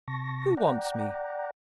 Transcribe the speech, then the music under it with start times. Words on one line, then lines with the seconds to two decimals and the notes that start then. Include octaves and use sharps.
"Who wants me?"
0.08 C3 A5 C#6 A#6
0.57 D5 F#5 G5 A#5